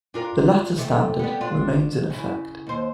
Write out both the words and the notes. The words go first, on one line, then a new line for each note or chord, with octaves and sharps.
The latter standard remains in effect.
D4 F4 A#4
C3 A3
G3 B3
D4 F4
C#3 E4
D#2 C5